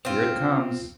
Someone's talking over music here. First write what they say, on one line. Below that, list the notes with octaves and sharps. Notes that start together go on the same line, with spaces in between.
Here it comes.
C4 F4